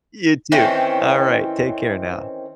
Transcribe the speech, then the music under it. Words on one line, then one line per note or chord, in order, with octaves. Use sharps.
you too, alright, take care now.
D#3 E3 C4 C#4